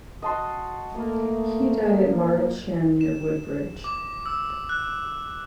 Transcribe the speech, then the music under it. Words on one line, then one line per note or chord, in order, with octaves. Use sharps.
He died at Martlesham, near Woodbridge.
F#4 D#5 A5 C6
A3 A#3
E7
D6
E6
F#6